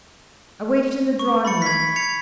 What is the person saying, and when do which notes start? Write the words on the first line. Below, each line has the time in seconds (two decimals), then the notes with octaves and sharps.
I waited in the drawing-room.
1.19 C#6
1.45 B5 A6 C#7
1.62 G#6 B6
1.96 G#6 C#7 F7